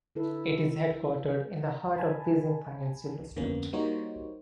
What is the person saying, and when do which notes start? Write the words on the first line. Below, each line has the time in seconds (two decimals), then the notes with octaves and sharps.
It is headquartered in the heart of Beijing financial district.
0.15 D3 E4 A4 B4
1.97 G#5 A5 B5
3.36 F2 D3 A#3 B3 C#4
3.73 G3 A#3 D#4 F#4 C5 C#5